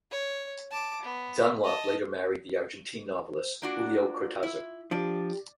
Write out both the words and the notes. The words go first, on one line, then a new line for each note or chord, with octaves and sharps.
Dunlop later married the Argentine novelist Julio Cortazar.
C#5
A5 D6
B3
D#5 A5
C5
A#3 D4 F4 F#4
E4
F3 D4 G4 D5